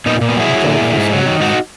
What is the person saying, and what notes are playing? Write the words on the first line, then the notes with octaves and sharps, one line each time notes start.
Watch Out for Snakes!
A#2 B3 D#4
A#2
B3
F#3 E4 G#4
F#3
A#2
A#2
G#2
F#3
D#3
G#2 D#4 F#4